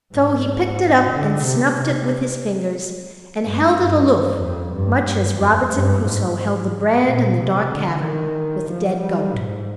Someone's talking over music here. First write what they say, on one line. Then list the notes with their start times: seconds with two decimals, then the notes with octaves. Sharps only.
So he picked it up and snuffed it with his fingers, and held it aloof, much as Robinson Crusoe held the brand in the dark cavern with the dead goat.
0.13 G#2
1.10 D3
1.44 C3
1.77 C3
3.41 G2
3.75 G2
4.40 F2
4.73 G2
5.06 G2
5.39 F2
5.72 G2
6.05 G#2
6.38 G#2
7.04 A#2
7.37 C3
7.70 D3
8.03 D#3
8.68 F3
9.02 G3
9.34 G#2